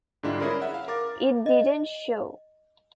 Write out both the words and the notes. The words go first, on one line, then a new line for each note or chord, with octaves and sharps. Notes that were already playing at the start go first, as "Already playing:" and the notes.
It didn't show.
G#2 D3 G3 D4 E4 F4
C#4 E4 G#4 A#4 D5 B5
E5 F#5
F5
A#4 D6 A6
D#5